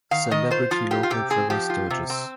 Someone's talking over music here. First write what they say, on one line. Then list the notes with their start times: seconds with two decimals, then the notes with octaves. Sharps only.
Celebrity local Trevor Sturgess.
0.11 D#3 F5
0.31 D#3 D#5
0.51 F4 C5
0.71 F3 F4
0.91 F4 G4
1.03 F4
1.10 C3 G4
1.30 C4 G#4
1.50 F3 G4
1.70 F4
1.90 C3
2.10 C4